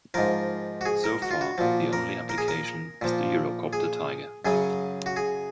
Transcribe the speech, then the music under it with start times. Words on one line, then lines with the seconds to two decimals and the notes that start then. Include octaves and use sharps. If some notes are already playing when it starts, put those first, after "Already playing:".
So far the only application is the Eurocopter Tiger.
0.14 G#2 F3 A#4
0.81 F#4
0.85 G#4
1.04 A#4
1.22 F#4
1.31 F4
1.41 F#4
1.58 A#2 F3
1.93 A#4
2.29 A#4
2.38 G#4
2.48 A#4
3.01 A#2 F3
3.73 G#4
4.45 F#2 C#3 F#3 G#4
5.06 F#4
5.16 G#4